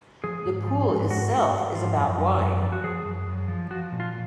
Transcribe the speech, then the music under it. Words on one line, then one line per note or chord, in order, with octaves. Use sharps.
The pool itself is about wide.
F3 G#4
G#2
F3
G#2
G#2 F#4
G#2
G#2
F3
F#2
F#2
F#2
F3
F#4
F3 G#4
F#2
F#2
F3
F3 F#4
A#2
F4